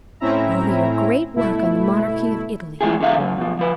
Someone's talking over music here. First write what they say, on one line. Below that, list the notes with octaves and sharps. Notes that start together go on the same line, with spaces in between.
"Oh, your great work on the monarchy of Italy!"
A2 C4 C#4 E4 E5 A#5
G1 B2 A3 E4
E3 F3 G#3 A3 G#4
F2 D3 A4 E5 F5
C#3 F#3
B2 F3
F3 B4